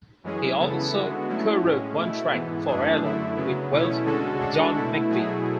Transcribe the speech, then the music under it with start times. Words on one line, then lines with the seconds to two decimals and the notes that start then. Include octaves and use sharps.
He also co-wrote one track, "Forever", with Welch and John McVie.
0.24 F#2 E3 G#3 C#4 G#4
0.59 C#3 E3 B3 E4 A4
0.93 D3 G#3 B3 F#4
1.28 F#3 A3 C#4 E4
1.63 A2 G#3 C#4
1.98 B2 A3 E4
2.32 G#2 E3 B3
2.67 F#2 E3 A3 D4 G#4
3.01 F#2 D3 A3 E4
3.36 C#3 F#3 B3
3.71 E2 B2 A3 C#4 E4
4.05 D3 G#3 C#4 F#4 A4
4.39 D3 G#3 D4 F#4 A4
4.75 B2 A3 E4
5.09 B2 F#3 A3 E4 G#4